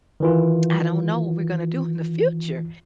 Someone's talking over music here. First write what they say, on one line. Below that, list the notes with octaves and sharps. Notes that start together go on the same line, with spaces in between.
"I don't know what we're gonna do in the future."
D#3 E3 F4